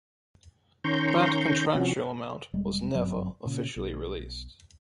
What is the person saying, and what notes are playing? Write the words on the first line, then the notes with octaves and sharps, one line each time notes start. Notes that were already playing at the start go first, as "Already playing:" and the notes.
That contractual amount was never officially released.
D#3 C#4 A#5 C6 C#6 G6
C3 F3 C#4 F#4
E1 G3 G#3
G1 F#2 F#3 C4
A#2 C#3
B1